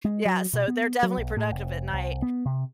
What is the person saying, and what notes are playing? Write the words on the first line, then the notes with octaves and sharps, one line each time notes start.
yeah, so they're definitely productive at night.
G#3
F#3
B2
B3
F#3
B1
A2
F1
C2
B3
C3